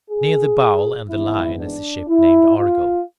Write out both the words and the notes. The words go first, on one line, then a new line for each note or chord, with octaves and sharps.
Near the Bowl and the Lion is the ship named Argo.
G#4
G#1 G#2 E3 B3 E4
D4
E4
F4